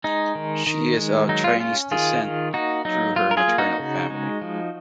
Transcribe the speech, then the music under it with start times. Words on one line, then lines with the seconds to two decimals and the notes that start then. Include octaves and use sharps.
She is of Chinese descent through her maternal family.
0.04 G#3 D#4
0.35 D#3
0.67 D#3
0.97 G#3
1.29 F#3 D#4
1.44 F4
1.60 C#4 F4
1.91 D#3 F4 G#4
2.23 D#3
2.53 A#3 D#4 F#4
2.85 F#3 D#4
3.16 F#3 F4
3.31 A#4
3.37 F4 G#4
3.48 A#3
3.58 D#4 F#4
3.79 C#3
4.10 G#3
4.41 F3